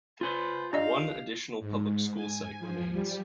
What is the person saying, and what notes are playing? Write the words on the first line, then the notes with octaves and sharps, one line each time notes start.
One additional public school site remains.
F4 B4 C5 G#5 C6
D4 G4 D5 D#5 F5
G#2
G#5
F3
G3